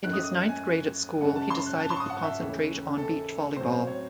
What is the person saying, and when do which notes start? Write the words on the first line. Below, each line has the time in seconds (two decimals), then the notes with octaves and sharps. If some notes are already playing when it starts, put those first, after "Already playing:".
In his ninth grade at school he decided to concentrate on beach volleyball.
0.03 F#2 D#3 A3 D#4 F#6
0.13 D#6
0.24 D#6
0.48 G#5
1.21 F#2 C#3 G#3 F#5
1.36 A5
1.50 C6
1.66 F#6
1.80 A5
1.90 C6
1.96 C#6
2.00 D#6
2.10 F#5
2.24 E5
2.39 D#2 C#3 E3 A3 C#4
2.98 A4
3.57 A2 F#3 C4 C5
3.72 C5
3.87 C#5